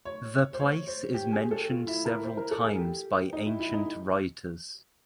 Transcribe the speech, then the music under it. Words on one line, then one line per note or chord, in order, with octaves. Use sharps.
The place is mentioned several times by ancient writers.
C#5
C5
C#5
C5
G4
G#4
A4
F4
E4
A#4
C5
A#4
A4
G#4
G4
D#4
E4
E4
D#4